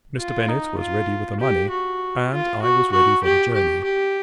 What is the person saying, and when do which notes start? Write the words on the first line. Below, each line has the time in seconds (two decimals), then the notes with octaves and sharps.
Mr. Bennett was ready with the money, and I was ready for the journey.
0.18 F4
0.49 D#4
0.79 F4
1.40 G4
1.70 F#4
2.31 F4
2.62 F#4
2.92 F#4
3.24 G4
3.54 G4
3.84 G4